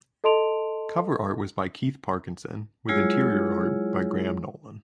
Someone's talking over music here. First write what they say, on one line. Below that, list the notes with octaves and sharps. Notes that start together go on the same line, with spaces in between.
Cover art was by Keith Parkinson, with interior art by Graham Nolan.
A4 D#5 A5 C6 D7 F7
F#3 G#3 E4 F4 G#4 C#5